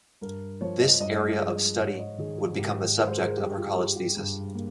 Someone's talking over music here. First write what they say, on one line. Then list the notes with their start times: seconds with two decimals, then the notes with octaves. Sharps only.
This area of study would become the subject of her college thesis.
0.21 G2 A#4
0.61 F3 C#5
0.81 D#5
1.00 G2 D#5
1.39 G#3
1.80 G#2 C#5
1.99 D#5
2.18 D#3 G#4
2.38 G#4
2.58 G#2 G4
2.98 G#3
3.07 C5
3.17 A#4
3.27 G#4
3.37 G2 G4
3.57 F4
3.76 G3 G4
3.96 G4
4.16 G2
4.55 A#3